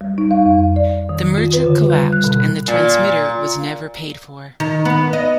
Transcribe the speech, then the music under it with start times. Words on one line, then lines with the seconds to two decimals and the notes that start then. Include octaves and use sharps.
The merger collapsed, and the transmitter was never paid for.
0.01 G3
0.18 D#4
0.31 F5
0.46 F2
0.76 D5
1.09 D#3
1.38 F4
1.53 B4
1.66 D3
1.90 G3
2.12 F#6
2.24 B2
2.68 A#2
4.60 D#3
4.85 B3
5.13 D#5